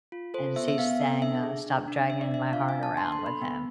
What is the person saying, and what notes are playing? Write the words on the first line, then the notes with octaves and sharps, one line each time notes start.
and she sang, uh, "Stop Dragging My Heart Around" with him.
F4
A4 C5
B3 E5
E5
B3 F5
A4
D4 E5
G#4
D4
D4
D4 E5
D5
D4 E5
F4 F5
G#5
D4
A5
D4 C6
C6
A4
B5
B3